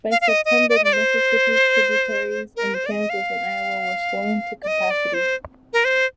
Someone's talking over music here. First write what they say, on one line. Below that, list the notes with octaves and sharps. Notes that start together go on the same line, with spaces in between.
By September, the Mississippi's tributaries in Kansas and Iowa were swollen to capacity.
F5
F5
D#5
D#5
D5
D#5
D5
C5
A#4
C5
D5
D#5
F5
D5
D#5
D5
C5
A#4
C5